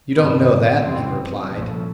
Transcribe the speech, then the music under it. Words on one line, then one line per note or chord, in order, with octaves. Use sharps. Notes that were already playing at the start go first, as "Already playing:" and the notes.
"You don't know that," he replied.
G2 D#3 G3 B3
F2 C#3 E3 G3 C4
C2 A#2 F3 A3 C#4